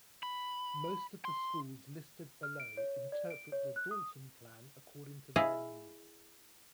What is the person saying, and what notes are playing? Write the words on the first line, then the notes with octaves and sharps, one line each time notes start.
Most of the schools listed below interpret the Dalton Plan according to their needs.
B5
C6
F6
D7
C#5
D5
D7
C#5
F#6
D#6
E4 G#4 D5 D#5 F5